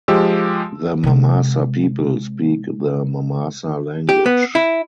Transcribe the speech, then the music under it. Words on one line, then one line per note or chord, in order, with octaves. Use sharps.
The Mamasa people speak the Mamasa language.
F3 G#3 G4 E6
C3 G#3
G4
B3
E4